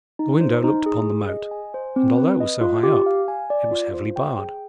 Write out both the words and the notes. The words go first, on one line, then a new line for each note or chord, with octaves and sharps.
The window looked upon the moat, and although it was so high up, it was heavily barred.
D#4
C5
D#4
G#4
G#4
D#5
G#5
C5
C4
B4
D#5
F4
G4
F5
G#5
D5
F4
C5
G5
G#4